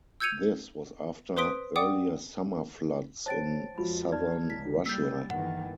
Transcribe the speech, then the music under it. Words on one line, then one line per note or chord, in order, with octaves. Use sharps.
This was after earlier summer floods in southern Russia.
E6 G6 G#6 C#7 D#7 F7
B4 C5 C6 D#6 B6 D7
D5 F#5 G5 D6 D#6
C5 C#5 G5 A5 A6 D7
F2 G#3 F4 F#4 B5
D#4 D5 A5 F6 G#6
C#2 E4 B6
G3 A#3 E6 G6 A6
G1 D#3 E3 F#5